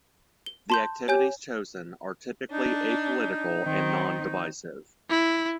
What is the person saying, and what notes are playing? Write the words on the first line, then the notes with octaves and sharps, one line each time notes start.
The activities chosen are typically apolitical and non-divisive.
G7
A5 C6 G6
G4 C#5 G#5 G6
D4 D#4
D#3 C4
E4